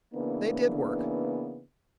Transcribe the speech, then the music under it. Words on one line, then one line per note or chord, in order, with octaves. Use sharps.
They did work.
C#3 E3 A#3 B3 D4